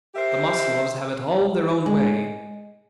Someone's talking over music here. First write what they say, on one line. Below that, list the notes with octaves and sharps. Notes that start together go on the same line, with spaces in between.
The Maslovs have it all their own way.
G4 A#4 C5 E5
G#3